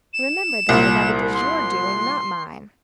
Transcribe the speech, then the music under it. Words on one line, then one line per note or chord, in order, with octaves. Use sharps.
Remember, though, that it is your doing, not mine.
E7
C2 A#2
C6